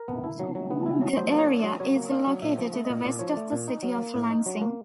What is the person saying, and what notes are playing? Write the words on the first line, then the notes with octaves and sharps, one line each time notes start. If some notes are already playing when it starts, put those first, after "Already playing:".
The area is located to the west of the city of Lansing.
Already playing: A#4
B3
E4
F#3
F#3
B3
E4
F#3
F#3 C5
A#3 C#5
D4
F#3 D5
F#3 C#5
A#3
D4 F5
F#3
A#2 E5
F3
A3
A#2 D#5
A#2 D5
F3 C#5
A3 D5
A#2
D#4
F#3
A#3
A2
D#4
F#3
A#3